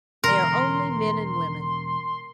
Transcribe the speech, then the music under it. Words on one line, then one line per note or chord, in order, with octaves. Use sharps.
They are only men and women.
E1 D3 A#4 C6